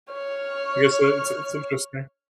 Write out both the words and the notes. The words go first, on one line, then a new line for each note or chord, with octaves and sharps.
I guess it's it's interesting.
C#5 F6